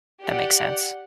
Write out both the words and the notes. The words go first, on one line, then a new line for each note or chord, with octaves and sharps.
That makes sense.
G4 D5 F#5